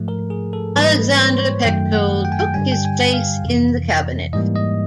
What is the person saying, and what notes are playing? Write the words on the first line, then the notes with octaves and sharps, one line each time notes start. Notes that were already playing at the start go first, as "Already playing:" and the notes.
Alexander Pechtold took his place in the cabinet.
Already playing: G#2 F3 A3
A#4
G#4
A4
G#2 E3 G3 A#3 B4
C#5
C5
C#5
F#2 D#3 F#3 A3 G5
F#5
G5
G#5
G5
G2 D3 G3 G#5
G5
G#5
F5
F2 C3 E3
G#2 E3 G3 A#3 D#5
D#5